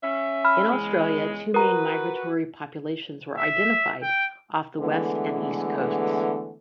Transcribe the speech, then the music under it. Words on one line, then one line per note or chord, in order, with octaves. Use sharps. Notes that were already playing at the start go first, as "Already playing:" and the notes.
In Australia, two main migratory populations were identified, off the west and east coasts.
C#4 E5
B5 F6
E2 C#3 G#3
F#4 A#4 B4 A#5
E5
G5
D3 E3 G#3 A3 B3